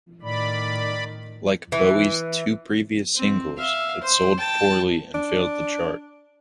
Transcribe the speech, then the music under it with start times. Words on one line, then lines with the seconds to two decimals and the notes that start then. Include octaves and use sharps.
Like Bowie's two previous singles, it sold poorly and failed to chart.
0.23 A2 D#3 D5 B5
1.72 E3
3.15 C4
3.58 E5 F5
4.02 C5
4.39 G5 A5
5.14 D4